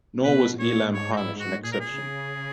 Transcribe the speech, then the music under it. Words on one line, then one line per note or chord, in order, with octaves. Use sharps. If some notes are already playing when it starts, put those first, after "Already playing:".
Nor was Elam Harnish an exception.
B2 B4
A#2 C#5
G#2 C#5
D#4
E4
F#4
A#2 G#4
A#4
G#4
C#3